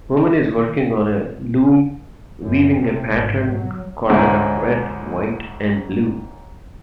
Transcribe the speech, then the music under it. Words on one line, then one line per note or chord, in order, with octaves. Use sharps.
Woman is working on a loom weaving a patterned carpet of red, white, and blue.
D#3
F#2
C3
G#1
F#3
C#2 G#2 D3 G#3 E4 C5